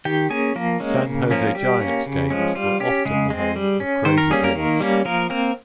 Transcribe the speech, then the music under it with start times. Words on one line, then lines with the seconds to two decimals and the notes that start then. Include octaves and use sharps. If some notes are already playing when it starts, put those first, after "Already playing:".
San Jose Giants games were often the home of Krazy George.
0.05 D#3 G4 G5
0.30 A#3 C#4 G#4 G#5
0.55 F3 A#3 A#4
0.80 G#3 C#4
1.06 C#3
1.31 F3 A#3 C#4
1.55 G3 G4
1.80 A#3 C#4
2.06 C#3
2.31 F3 G#3 C#4
2.55 G3 F4
2.80 C#4 G4
3.05 C#3 G#3 G#4
3.30 G#3 C4
3.56 G3
3.80 C#4
4.05 D#3 C5
4.18 A#4
4.30 G3 A#3 C#4 G#4
4.43 A#3 A#4
4.56 D#3
4.80 G3 A#3 C#4
5.05 F3 A#3 A#4
5.30 A#3 C4 A#4